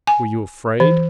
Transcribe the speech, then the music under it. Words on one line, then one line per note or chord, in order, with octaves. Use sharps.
"Were you afraid?"
G#5
E3